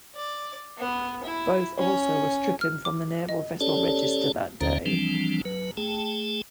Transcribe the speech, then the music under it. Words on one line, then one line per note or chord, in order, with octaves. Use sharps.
Both also were stricken from the Naval Vessel Register that day.
D5
B3
E4
C#4
F6
D6
D#5
C#4 G4 A4 C#5 D5 A5
D#2 D3 C#4 C5 A#5
E3 F3 G3 C4 D4
F#3 B4
A3 G#4 G5 A5